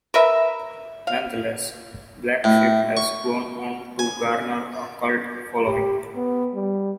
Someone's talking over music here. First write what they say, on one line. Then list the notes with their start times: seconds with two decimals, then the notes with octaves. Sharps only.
Nonetheless, "Black Sheep" has gone on to garner a cult following.
0.14 A#4 B4 E5
1.07 F5
2.44 A2
2.97 C#6
3.99 G#5
5.66 G4
6.16 B3
6.54 G3